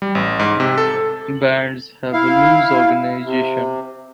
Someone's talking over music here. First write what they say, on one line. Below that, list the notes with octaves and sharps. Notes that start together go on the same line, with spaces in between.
Bands have a loose organization.
G3
A1
G#2
C3
A4
E4 F5
C3